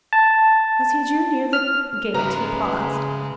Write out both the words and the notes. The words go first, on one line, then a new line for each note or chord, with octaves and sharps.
As he drew near the gate he paused.
A5
F6
C#3 G#3 B4 E5 A#5